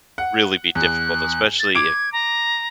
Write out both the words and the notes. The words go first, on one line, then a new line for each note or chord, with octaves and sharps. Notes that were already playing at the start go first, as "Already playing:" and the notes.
really be difficult, especially if,
F#5
E2 F#6
A6
D6 G#6 D7
A#5